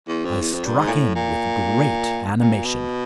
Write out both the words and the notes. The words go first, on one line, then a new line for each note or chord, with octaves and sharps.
I struck in with great animation.
E2
F2
E2
F2
G2
G#2
A#2
A2
A#2
A#2
B2